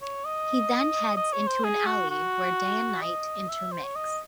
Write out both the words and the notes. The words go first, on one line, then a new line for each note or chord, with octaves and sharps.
He then heads into an alley where day and night intermix.
C#5
D#5
D#5
C#5
C5
G#4
F#4
F#4
D#5
E5
C5
C#5
D#5